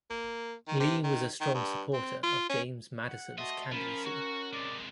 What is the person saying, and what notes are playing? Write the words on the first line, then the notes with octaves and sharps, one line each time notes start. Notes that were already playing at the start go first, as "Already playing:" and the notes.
Lee was a strong supporter of James Madison's candidacy.
A#3
D#3
C3
D#3
D#3
G2
C4
F4
C#4
F#5
F#4 D#5 E5 A5 C6
F3 C#4 A#4 B5
F#4 C#6
C3 G#3 D5